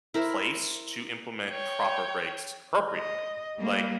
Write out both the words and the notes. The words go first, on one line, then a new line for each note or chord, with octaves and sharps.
place to implement proper breaks appropriately. Like,
E4 A#4 C5 E5
C#5 G5
D#5
G3 A#3